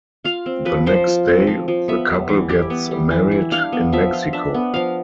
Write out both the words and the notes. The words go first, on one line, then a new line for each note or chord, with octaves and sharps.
The next day, the couple gets married in Mexico.
F4 F5
C4
F3 B4
F3 C5
F4
C4
F3
F3
B3 E5
G3
E3
E4 G4
B3
G3
E3
E4
D4 F5
B3
F3 E5
F4
D4 E5
B3
F3 F5